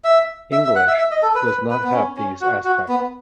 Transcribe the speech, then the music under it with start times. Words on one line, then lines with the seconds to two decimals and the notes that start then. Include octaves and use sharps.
English does not have these aspects.
0.04 E5
0.52 E5
0.64 E5
0.76 F#5
0.88 E5
0.99 E5
1.11 D#5
1.23 A4
1.35 B4
1.46 B4
1.70 B4
1.84 B3
1.93 C#4
2.17 C#4
2.41 F#4
2.64 F#4
2.88 B3